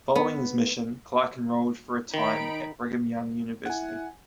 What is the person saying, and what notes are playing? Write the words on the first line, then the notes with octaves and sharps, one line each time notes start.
Following his mission, Clark enrolled for a time at Brigham Young University.
B3
D#3 D#4 B5 D7
E4 F#5 G#5